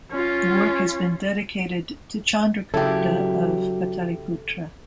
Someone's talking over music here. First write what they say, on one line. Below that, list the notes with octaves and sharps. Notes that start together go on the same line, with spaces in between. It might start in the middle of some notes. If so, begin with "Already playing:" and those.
The work has been dedicated to Chandragupta of Pataliputra.
C#4 F4
C#3 F#3 E4 G4 A4